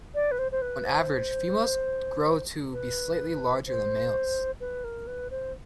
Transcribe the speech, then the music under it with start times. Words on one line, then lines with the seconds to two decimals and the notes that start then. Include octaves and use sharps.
On average, females grow to be slightly larger than males.
0.15 D5
0.31 B4
0.39 C5
0.52 C5
0.62 B4
0.86 C5
2.73 B4
3.67 C5
4.61 B4
4.84 A#4
5.07 B4
5.31 C5